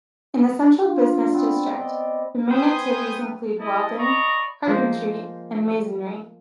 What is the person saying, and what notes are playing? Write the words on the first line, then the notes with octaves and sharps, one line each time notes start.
In the central business district, the main activities include welding, carpentry and masonry.
D4 F4
B3 C4 D5
D5 D#5
B3 C5 G5 G#5 D#6 G6
E4 D#5 A5
D5 D#5 A#5 B5 C#6
F3 G#3 A#3 C5